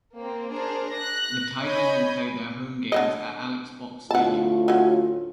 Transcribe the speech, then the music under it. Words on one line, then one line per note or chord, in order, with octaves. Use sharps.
The Tigers will play their home games at Alex Box Stadium.
A#3 C4
D4 G#4 A#4 C5
F#6 A#6
C#5 D#5 G#5 B5 G6
D3 B3 D#5
D2 A2 F4 F#5 A5
F#3 C#4